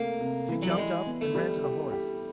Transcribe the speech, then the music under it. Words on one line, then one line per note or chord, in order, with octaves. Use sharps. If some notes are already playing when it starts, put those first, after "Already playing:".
She jumped up and ran to the horse.
Already playing: C3 A3 A#3
C3
E3
F#3
G3
G#3 E4
B3
A3
G3
G4
G4